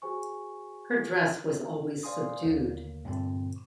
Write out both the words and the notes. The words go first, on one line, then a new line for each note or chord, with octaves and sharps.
Her dress was always subdued.
F#4 G#4 C5 G#5 C#6
C5 D5 F5 G#5 C6 D#6
D#2 D3 A#3
G2 A#2 D3 C4